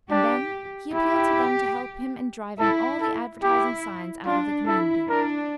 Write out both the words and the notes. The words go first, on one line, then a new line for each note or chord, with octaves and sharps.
And then he appealed to them to help him in driving all the advertising signs out of the community.
D4 G4
E4 G4
E4 A4
A4
E4 G4
D4 F4
E4 A4
D4 A#4